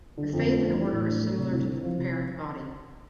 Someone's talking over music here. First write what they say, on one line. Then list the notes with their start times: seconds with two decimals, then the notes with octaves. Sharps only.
The faith and order is similar to the parent body.
0.18 D3
0.33 F2
0.48 A3
0.63 F3
0.77 E3
0.93 A2
1.07 D4
1.24 A3
1.37 C3
1.52 C2
1.68 C4
1.83 F3
1.98 C3